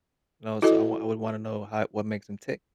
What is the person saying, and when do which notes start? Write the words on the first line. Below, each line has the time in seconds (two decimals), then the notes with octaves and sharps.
You know, so I wou I would wanna know how what makes him tick,
0.62 E4 F#4 A4 D#5